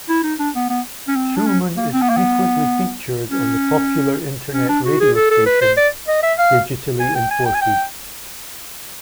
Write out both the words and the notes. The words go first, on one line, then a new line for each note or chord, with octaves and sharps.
Shulman is frequently featured on the popular internet radio station, Digitally Imported.
E4
D#4
D4
B3
B3
C#4
C4
D4
C#4
A#3
C4
B3
A#3
B3
C#4
C#4
D4
F#4
G#4
A4
A4
B4
C5
D5
D#5
E5
F5
G#5
G5
G#5
G5
G#5
G5